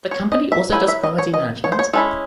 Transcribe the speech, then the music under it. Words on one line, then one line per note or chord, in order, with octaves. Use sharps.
The company also does property management.
C#5
D#5
E5
F#3 C4 E4 G#5
E5
D#5
C#5
D#5
C#5
C5
C#5
G#3 C#4 E4 A4